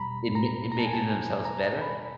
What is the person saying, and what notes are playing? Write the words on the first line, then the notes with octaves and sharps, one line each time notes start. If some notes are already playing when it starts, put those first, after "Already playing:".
in ma in making themselves better?
Already playing: E2 B2 G3 A#5 B5
A#5
A#5
A5
G#5
A5
G#5
A#5
B5